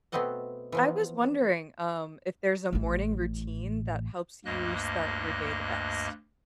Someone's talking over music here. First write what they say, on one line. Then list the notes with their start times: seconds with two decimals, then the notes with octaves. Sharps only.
I was wondering, um, if there's a morning routine that helps you start your day the best?
0.12 B2 A3 B3 C4 D#5 F#5
0.72 E3 F3 B3
2.72 A1 A2
4.45 D2 G2 A#3 D#5 F#6